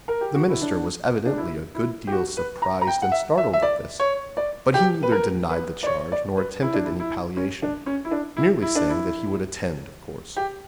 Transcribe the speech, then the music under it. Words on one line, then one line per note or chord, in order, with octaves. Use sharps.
The minister was evidently a good deal surprised and startled at this, but he neither denied the charge nor attempted any palliation, merely saying that he would attend, of course.
A#4
G4
F#4
E4
D4
D4
E4
E4
G4
F#4
B4
A#5
A#5
G5
F#5
E5
E5
E5
D5
C#5
D5
G4
B4
A#4
B4
D5
C#5
D5
B4
E4
D4
E4
E4
C#4
D4
C#4
E4
D4
E4
E4
D4
E4
G4